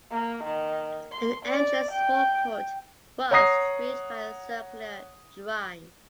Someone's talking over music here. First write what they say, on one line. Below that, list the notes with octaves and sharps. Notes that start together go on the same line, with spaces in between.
An entrance forecourt was reached by a circular drive.
A#3
D#3
C6
D5
G5
C#5 F#5 A#5 D#6 A#6 C7